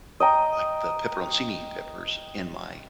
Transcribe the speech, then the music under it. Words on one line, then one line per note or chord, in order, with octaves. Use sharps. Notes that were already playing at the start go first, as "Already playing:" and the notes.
like, the peperoncini peppers in my,
D#5 G5 A#5